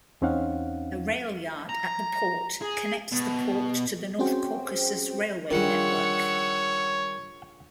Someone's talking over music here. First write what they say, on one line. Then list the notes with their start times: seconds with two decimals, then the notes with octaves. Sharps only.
A railyard at the port connects the port to the North Caucasus Railway network.
0.22 E2 C4 C#4 D#4 F5 F#5
1.69 A#5
2.62 G#4
3.12 B2
4.19 C4 C#4 F#4 G#4 C5 G5
5.51 D#3 G3 D4 F4 G#4 C#5 F#5 E6